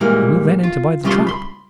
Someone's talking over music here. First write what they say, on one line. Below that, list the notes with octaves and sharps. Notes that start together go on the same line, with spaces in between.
"He will then enter by the trap."
A#2 E3 G3 G#3 A#3
F4
C2 C#3 G3 F4 F5 C6
B5 C6